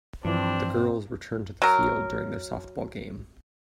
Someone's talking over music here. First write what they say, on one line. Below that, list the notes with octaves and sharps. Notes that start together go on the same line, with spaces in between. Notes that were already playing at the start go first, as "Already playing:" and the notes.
The girls return to the field during their softball game.
G2 E3 F3 C4 D4
F#3 A#4